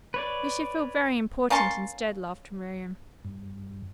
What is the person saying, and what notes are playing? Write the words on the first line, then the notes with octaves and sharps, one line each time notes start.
"We shall feel very important instead," laughed Miriam.
B4 C#5 D5
A#3 C#4 A5 C6
G2